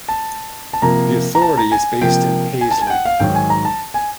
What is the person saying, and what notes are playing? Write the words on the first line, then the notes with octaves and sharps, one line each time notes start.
The Authority is based in Paisley.
A5
A5
C3 F3 A#3 A#5
A#5
A5
A#5
G#5
C3 F3 A#3 G5
G#5
A5
G#5
G5
F#5
F5
G#2 D#3 F#3 G5
G#5
A#5
A5
G#5